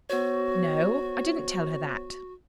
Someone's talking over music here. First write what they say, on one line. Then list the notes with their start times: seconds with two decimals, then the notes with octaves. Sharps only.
"No; I didn't tell her that."
0.10 B3 F#4 C5 C#5